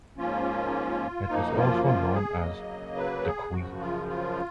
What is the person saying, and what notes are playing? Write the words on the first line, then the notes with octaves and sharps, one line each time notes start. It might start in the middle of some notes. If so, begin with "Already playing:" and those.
It also was known as The Queen.
G#2 F3 A#3 C#4 F4
F#2 F3 A#3 D#4
F4
F4
G#4
C#3 F#3 A#3 D#5
B4
G#4
F#2 C#3 F3 F#4
F4
F4